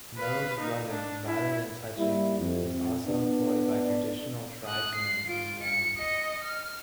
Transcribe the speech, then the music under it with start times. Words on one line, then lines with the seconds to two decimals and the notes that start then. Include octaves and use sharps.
Nose rubbing, rather than touching, is also employed by traditional tribesmen in Yemen.
0.18 B4 F5
0.60 A#3 D#4
0.91 D4
1.27 E4
1.97 G3 A#3 E4
2.39 F2
3.07 B3 D4
4.65 D#6 F#6
4.95 C7
5.27 F4 D7
5.63 C#7
5.98 D#5 C#7
6.42 F6